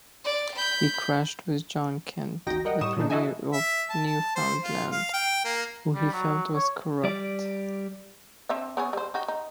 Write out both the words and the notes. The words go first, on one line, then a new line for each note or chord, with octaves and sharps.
He clashed with John Kent, the premier of Newfoundland, who he felt was corrupt.
D5
B5 G6
A1 D#2 D#4 F#4 G5 A#6
G3 A#4 D#5 F#5 G5
A2 G3 C#6 D#6 E7
A#2 D3 E3 A#3 D4 D#4
E4 F#4 A4 D#5 E5 G#5
E5
A5
A5
C5
F4
F5
G5
A#3
G3
F#3
C#5
G3 D5
C4 D4 E5
B3 C#4 G#4
G3 C5
D#4 F#4 G4
D#4